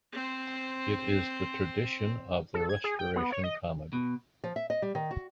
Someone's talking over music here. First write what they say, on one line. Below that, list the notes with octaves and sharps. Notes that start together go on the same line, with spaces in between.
It is the tradition of the Restoration Comedy.
C4 C5
A4
G#6
G#4
G5
B3
C#5
D#5
B2
F3
E5
D#5
G3
D#3
F#4